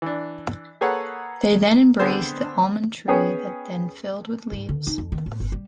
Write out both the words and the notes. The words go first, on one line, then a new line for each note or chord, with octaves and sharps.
Then they embraced the almond tree that then filled with leaves.
E3 D4
A#3 G#4 A4 B4 C#5 F#5
D3 B3 C4 D4 G#4 C5
B3 C#4 G#4 C#5 G5
G#2
D3
D#4
F2
D#3
A2
G1
G3